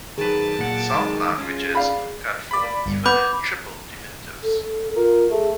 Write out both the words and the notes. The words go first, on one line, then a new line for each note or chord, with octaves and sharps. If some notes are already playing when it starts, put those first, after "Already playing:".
Some languages can form even triple diminutives.
D#3 F#3 G#4 B4 A5 D6
A#2 F#5
D#3 G#3
C#4 F4
D5 F5 B5
D5 B5
G1
B3 B5 D6 G6
A4
F4 A#4
A3 G#4